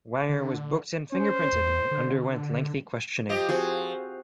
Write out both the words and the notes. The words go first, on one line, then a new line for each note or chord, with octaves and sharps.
Wanger was booked and fingerprinted, and underwent lengthy questioning.
D3
C#4 C5
E2
D3
F3 G4 D#5
F3 C4 F#4 G#4